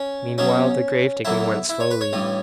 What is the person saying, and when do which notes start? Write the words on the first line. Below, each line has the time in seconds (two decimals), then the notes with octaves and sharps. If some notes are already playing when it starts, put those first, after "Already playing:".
Meanwhile the grave digging went slowly.
Already playing: C#4
0.38 B1 B2 F#3 C#4
1.25 E2 D3 F#3 E4
1.69 E4
1.80 C#5
1.91 B4
2.01 C#5
2.13 A1 G2 E3